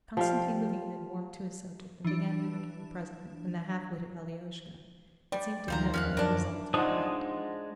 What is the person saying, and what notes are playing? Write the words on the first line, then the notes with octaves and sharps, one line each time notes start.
Konstantin Levin had warmed to his subject, and began mimicking the president and the half-witted Alioshka: it seemed to him that it was all to the point.
F3 G3 F5
E3 D4
G3 D5
D2 D#3 F3 C5 F5 A#5
E2 C#4 F5 F#6
F#2 A#3 D4
G#3 D4 D#4 F4 C5 F#5 A5 D#6